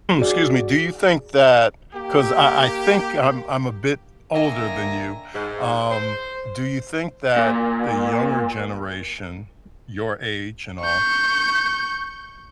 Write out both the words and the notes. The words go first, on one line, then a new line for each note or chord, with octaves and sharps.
'scuse me, do you think that 'cause I I think I'm I'm a bit older than you. Um, do you think that the younger generation, your age and all,
F#4 G#4 D5
A#3 G4
D3 D#3 A#3 E5 G#5 A#5
G#2
C5
A#2
C#6 G6